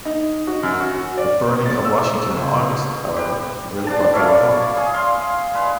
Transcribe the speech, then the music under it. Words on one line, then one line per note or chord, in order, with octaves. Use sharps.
The burning of Washington, in August, however, really brought the war home.
D#4
F#4
F#2
F#4
D5
A6
E6
C#2
G4 B4
D4 A5
E4 C#5 D5 F5
G#4
F5 C6
G#3 B4